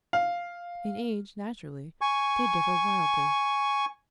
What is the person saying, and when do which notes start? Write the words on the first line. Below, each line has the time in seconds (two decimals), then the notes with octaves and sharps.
In age, naturally, they differ wildly.
0.13 F5
2.01 G#5 C#6